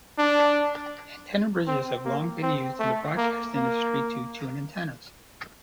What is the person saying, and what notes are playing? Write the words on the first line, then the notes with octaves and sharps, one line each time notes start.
Antenna bridges have long been used in the broadcast industry to tune antennas.
D4
C4
A#3
C4
A3
A#3
A#3